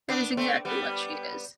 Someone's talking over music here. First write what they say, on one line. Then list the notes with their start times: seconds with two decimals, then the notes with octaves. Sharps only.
That is exactly what she is.
0.09 B3 D4
0.37 A3 C4
0.65 G3 B3